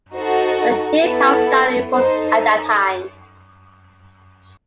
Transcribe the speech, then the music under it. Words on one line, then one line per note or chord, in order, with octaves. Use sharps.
The hip house style evolved at that time.
D#4 F#4 A4 C5
B3 E4 A4 B4
D#4 A4 C5